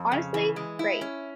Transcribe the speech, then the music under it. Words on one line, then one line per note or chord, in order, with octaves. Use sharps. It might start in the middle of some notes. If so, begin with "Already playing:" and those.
Honestly, great.
Already playing: F2
C#3
E3
G#3
E4
C#4